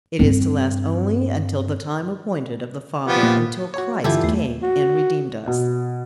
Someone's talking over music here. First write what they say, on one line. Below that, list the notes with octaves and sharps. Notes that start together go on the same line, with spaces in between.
It is to last only until "the time appointed of the father," until Christ came and redeemed us.
G2 C4
F3 B3 G4
A#2
F#4 C#5
G2 D3 E3 E4 F4 G4 A4
E2 A3
F#4
B2